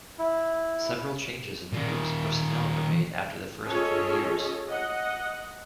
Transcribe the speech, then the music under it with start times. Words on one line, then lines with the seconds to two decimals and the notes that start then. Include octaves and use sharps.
Several changes in the group's personnel were made after the first few years.
0.19 E4
1.73 A#2 D#3
3.65 C#4 F4 G#4 A4 C#5 D#5
4.69 D#5 F#5